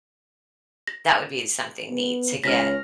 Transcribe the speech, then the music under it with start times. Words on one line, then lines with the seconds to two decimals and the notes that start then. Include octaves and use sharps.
That would be something neat to get
0.87 A#6
1.88 B3
2.44 C#2 C#5 F6 A#6 B6